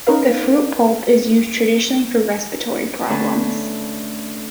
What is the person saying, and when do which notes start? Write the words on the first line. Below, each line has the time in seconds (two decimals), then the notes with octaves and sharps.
The fruit pulp is used traditionally for respiratory problems.
0.07 C#4 D#4 A#4 B4 F5
3.09 D3 A3 C#4 A4 B4